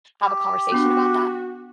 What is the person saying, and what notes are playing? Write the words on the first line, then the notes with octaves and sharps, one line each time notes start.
have a conversation about that?
G4
B3 D4 F#4